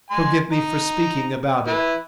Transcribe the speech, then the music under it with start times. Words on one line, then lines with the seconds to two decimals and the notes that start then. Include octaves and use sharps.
Forgive me for speaking about it.
0.11 G#5 C6
0.52 D#4 A#5
1.67 E4 B4